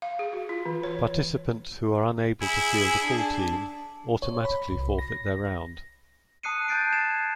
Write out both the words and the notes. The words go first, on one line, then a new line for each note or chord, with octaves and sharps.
Participants who are unable to field a full team automatically forfeit their round.
F5
G#4
F#4
F4
E3
C#5
E4 G#4
D4 A5
C#5
B5
C2
A#6
A5 D#6 F#6 C7 C#7 D#7
A5 F#6 G6 A6 C7 D7
A5 G#6 A6 D7 E7